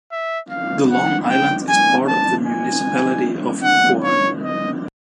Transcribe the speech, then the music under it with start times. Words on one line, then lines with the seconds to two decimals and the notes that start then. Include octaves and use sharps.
The long island is part of the municipality of Guiuan.
0.12 E5
0.50 F5
0.90 F#5
1.30 G5
1.69 G#5
2.08 A5
2.47 G#5
3.64 F#5
4.03 C#5
4.43 D#5